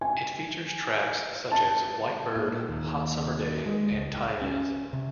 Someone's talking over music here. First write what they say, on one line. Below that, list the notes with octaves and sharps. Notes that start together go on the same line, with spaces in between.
It features tracks such as "White Bird", "Hot Summer Day", and "Time Is".
G#5
A5
A#2
D#2
G#3
C#2
C#4
C3